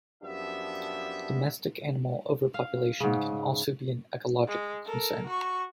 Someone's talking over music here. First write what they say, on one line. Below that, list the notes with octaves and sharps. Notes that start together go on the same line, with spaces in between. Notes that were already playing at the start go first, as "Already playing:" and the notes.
Domestic animal overpopulation can also be an ecological concern.
F#2 F3 B3 D4 G4 E5
F5
G#2 C#3
G#3
A4 A#4
F#4 C#6